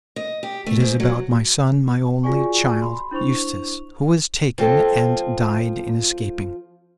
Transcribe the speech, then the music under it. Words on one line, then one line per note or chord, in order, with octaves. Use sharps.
It is about my son, my only child, Eustace, who was taken and died in escaping.
D#5
G4
A3
G#2
F#3
F4 F#4 G#4 D5 G#5 C#6
B5 C6
D4 E4 C5 C#6 F7
F3 C4 A4